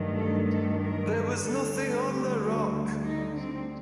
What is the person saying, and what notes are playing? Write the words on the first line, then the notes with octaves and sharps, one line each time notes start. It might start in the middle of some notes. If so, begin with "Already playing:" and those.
There was nothing on the rock.
Already playing: G2 D#3 F#3 A3
A4
A4
A#4
D2 D3 G3 A4
A4
G4
F#4
D#4
C4